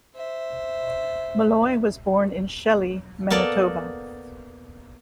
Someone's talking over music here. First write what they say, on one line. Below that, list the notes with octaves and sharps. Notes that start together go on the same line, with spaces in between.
Molloy was born in Shelley, Manitoba.
C5 E5
A#3 B3 A4 D5